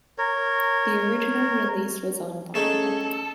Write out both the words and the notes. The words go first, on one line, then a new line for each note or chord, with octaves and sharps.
The original release was on vinyl.
A#4 C#5
A3 C#4 D#4 G#4 A4 E7